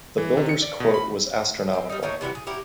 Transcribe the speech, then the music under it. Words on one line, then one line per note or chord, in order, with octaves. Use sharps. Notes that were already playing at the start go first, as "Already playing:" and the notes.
The builder's quote was astronomical.
E3
C3
C#7
D5
B2
B5
C4
G3 D#4
A3 A#3 D#4 C#5
C3 E3 G3 F#4
G#4
E4 F#4 G4 A#4